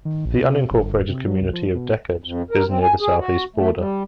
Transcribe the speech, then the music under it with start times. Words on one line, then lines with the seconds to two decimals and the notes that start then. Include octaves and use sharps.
The unincorporated community of Deckard is near the southeast border.
0.05 D#3
0.25 A#1
0.38 C3
0.70 G1
0.94 D#1
1.09 C3
1.27 F#3
1.41 C2
1.53 F3
1.75 B2
2.24 F2
2.51 A#4
2.68 C4
2.83 G#5
3.00 G#4
3.19 F#4
3.56 A3
3.77 G3